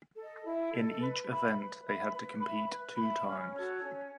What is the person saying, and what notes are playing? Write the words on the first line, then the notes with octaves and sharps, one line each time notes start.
In each event they had to compete two times.
A4 D#5
E4
A4 D#5
B4
E5 B5
B4
E5 B5
B4
E5 B5
B4
E5 B5
C#4
F#4 A4 C#5
C#4